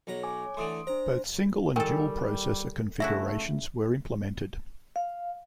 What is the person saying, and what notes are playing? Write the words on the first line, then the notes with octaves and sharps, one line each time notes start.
Both single and dual processor configurations were implemented.
B1 F#3 A#5
C#5 G#5 D6
D3 E3 A3 C6 D#6 D7
D4 C5 A#5
D#3 G3 A4 A#4 G5 G#5
C#3 A3 E4 F#4 E5
F5